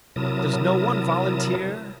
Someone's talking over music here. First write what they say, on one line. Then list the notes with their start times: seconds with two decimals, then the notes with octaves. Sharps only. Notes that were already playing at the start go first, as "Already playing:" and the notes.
"Does no one volunteer?"
0.16 C3 F#3 E4 A#4 A5 D#6